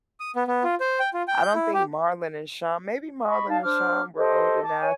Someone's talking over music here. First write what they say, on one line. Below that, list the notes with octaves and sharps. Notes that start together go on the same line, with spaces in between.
I don't think Marlon and Shawn, maybe Marlon and Shawn were old enough,
D#6
B3
B3
F4
C5
G5
F4
G5
G6
E4
G4
D#5 B5 C#6
D#4 D5 F5 A5
D4 C5 D6 F6
G4 A4 C5 D#5
A5 D6
C#5 G#5